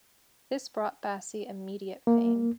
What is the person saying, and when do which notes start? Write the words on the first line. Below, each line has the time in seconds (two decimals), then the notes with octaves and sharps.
This brought Bassi immediate fame.
2.07 A#3